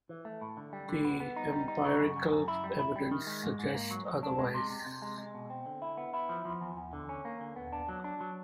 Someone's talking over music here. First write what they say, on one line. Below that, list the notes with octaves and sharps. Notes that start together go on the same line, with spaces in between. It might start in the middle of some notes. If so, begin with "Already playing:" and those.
The empirical evidence suggests otherwise.
E3
A3
A2
D3
G3
D3
B3
B3
D#4
G3
D#4
C#3
F#2
F#2
F#2
E4
G3
E4
G3
D#3
G#3
G#2
G#2
A#3
F#3
F#3
D4
G#3
C3
C3
C3
G#3
G#3
B2
C4
D3
E4
B3
E4
F3
F3
E2
E2
D3
C#4
A#3
D3
B3
D4
F#3
D4
F#3